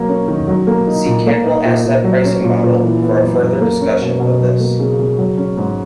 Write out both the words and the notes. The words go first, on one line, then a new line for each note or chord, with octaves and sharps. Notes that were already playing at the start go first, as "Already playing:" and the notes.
See Capital asset pricing model for a further discussion of this.
Already playing: F#3 A#3
C#4
D#3
F#3
A#3
D#4
A#2
A#3
D#4
A#2
A#2
F#3
C#4
A#2
A#2
E3
B3
F#2
F#2
A#3
C#4
B2
B2
F#3
A#3
C#3
C#3
F#3
C#4
G#2